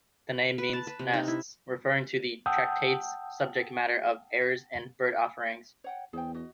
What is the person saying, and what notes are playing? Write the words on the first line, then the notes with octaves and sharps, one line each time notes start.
The name means "nests", referring to the tractate's subject matter of errors in bird-offerings.
B4
A5
B4
C3
D#4
E4
F#5 G5 A5 D#6 E6 G6
C#5 F#5 G5
E2 G#4 C5 G5
F#4 D#5